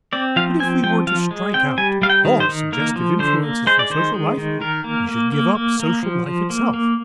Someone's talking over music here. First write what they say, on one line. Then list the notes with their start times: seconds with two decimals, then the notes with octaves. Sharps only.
But if we were to strike out all suggestive influences from social life, we should give up social life itself.
0.13 C4 D5
0.36 F3 F5
0.60 C4 G#5
0.83 F3 G5
1.07 F3 F5
1.31 G#3
1.54 C4 G5
1.78 G3 G#5
2.02 G3 F5
2.10 G5
2.25 D#3
2.40 C5
2.49 D#3
2.72 A#3 A#4
2.96 F3
3.19 D3 C5
3.43 A#3
3.67 G#3 C5
3.79 D5
3.90 D#3 C5
4.14 G#3
4.38 D#3
4.61 D#3 A#4
4.84 A#3
5.09 A#3
5.32 A#3
5.55 A#3
5.79 A#3
6.03 F3
6.26 F3
6.50 A#3
6.74 A#3